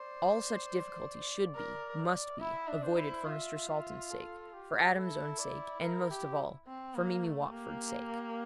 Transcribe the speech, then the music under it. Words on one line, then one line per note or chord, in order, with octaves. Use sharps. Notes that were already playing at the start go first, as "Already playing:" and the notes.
All such difficulties should be--must be--avoided for Mr. Salton's sake, for Adam's own sake, and, most of all, for Mimi Watford's sake.
Already playing: C5 D5
A#4
E4 E5
D4
C5
E4
F4 E5
E5
A4
G4
E4 A4
D5
A#4
G4
C4
A#3
A3
A#3 G4